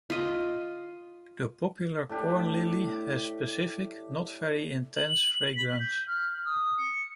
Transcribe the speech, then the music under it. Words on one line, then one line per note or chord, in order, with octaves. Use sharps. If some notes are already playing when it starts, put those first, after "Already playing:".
The popular corn lily has specific, not very intense fragrance.
F4 D#5
A2 D4 G4
F#7
B6
G6
F6
D#6
C#7